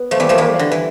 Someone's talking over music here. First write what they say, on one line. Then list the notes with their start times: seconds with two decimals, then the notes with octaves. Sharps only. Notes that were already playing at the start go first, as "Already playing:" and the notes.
"Who wrote it?"
Already playing: B3
0.11 F3 A3
0.20 E3 G3
0.29 F3 A3
0.38 E3 G3
0.59 D3
0.72 E3